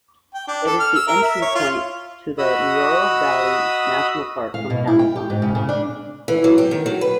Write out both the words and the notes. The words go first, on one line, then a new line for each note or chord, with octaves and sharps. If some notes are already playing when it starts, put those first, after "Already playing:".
It is the entry point to the Neora Valley National Park from Kalimpong.
G5
D4
A4
F6
E6
A#4
E5
C#5
F4
F#4 D#5 B5 D#6 E6
F5
B2
E4
G5
G4
G#2
C#3
C#3
D4
E3
F#3
G4
D#3
F#3
B4